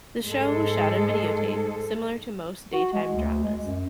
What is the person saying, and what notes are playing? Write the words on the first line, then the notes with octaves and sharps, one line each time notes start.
The show was shot on videotape, similar to most daytime dramas.
G#2 G#3 A4
F#4
G#3
D2
G#3
F#2